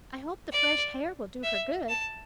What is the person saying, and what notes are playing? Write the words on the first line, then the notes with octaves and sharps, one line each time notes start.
"I hope the fresh h'air will do her good."
D5
E5
A5